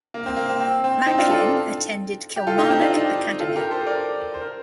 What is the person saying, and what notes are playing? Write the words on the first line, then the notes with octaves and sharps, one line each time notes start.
Macklin attended Kilmarnock Academy.
A#3
C4
A#3
C4
C4
C4
C4 D#4
D4 F4
F4 A4
G4
F4 A4
D#4 G4
C4 D#4
D4 F4
D#4 G4
F4 A4
G4 A#4
A4 C5
A#4 D5
C5
A#4